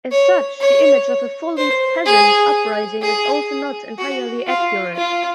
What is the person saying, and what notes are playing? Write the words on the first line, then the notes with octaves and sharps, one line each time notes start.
As such, the image of a fully "peasant" uprising is also not entirely accurate.
C#5
C#5
C5
G#4
G#4
F#4
F4
F4